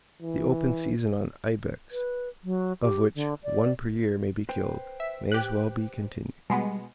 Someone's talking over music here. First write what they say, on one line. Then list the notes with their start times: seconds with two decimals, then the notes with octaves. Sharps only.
The open season on "ibex," of which one per year may be killed, may as well be continued.
0.22 E3
1.92 B4
2.44 F#3
2.82 G4
3.15 D3
3.43 D5
4.49 B4 C5 G5
5.00 E5
5.32 G4 F#6
6.50 B2 G3 G#3 B3